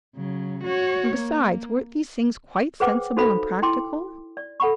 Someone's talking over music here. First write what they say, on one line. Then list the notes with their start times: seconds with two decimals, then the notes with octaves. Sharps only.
And, besides, weren't these things quite sensible and practical?
0.16 C#3 F#3
0.63 F#4 C#5
1.15 A#3
2.80 G#4 B4 C5 F#5 G5 D6
3.17 D#4 F#4 A4 C5 F5 B5
3.62 E4 G5 C6 D6
4.37 D5
4.60 A4 F#5 B5 C#6